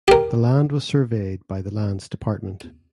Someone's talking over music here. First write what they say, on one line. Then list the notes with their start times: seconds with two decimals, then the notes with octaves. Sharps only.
The land was surveyed by the Lands Department.
0.08 G4 A#4